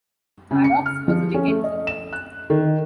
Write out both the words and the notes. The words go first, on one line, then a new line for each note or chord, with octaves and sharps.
Maddocks was a wicket-keeper.
C#3
C#7
F6
F3
C#4
A3
D#5
E7
F#6
D#3